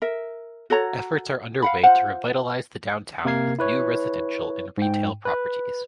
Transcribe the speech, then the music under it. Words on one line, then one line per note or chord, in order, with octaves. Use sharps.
Efforts are underway to revitalize the downtown with new residential and retail properties.
A#4 E5
F#4 A4 C#5 A#5
F5 F#5 B5
F4 C5 F#5
C3 A#3 A#4 G#6 C7
E4 B4 C#5
G#2 G5
B4